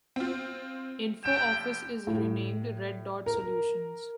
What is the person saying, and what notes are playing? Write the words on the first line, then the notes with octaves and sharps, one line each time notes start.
InfoOffice is renamed RedDot Solutions.
C4 F4
F1 G5 E7
A2
A#4